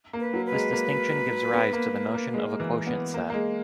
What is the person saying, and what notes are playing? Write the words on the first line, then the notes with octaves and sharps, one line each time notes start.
This distinction gives rise to the notion of a quotient set.
A#3
B4
F#3
B4
G#3
A#3
B3
A#3
A#3
G#3
E3
B3
A#3
A#3
G#3